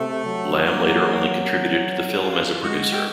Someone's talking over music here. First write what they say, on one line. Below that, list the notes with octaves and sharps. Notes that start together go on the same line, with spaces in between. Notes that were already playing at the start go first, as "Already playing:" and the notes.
Lam later only contributed to the film as a producer.
Already playing: C3 A3
F#3
A#3
F4
G#3 F#4
G4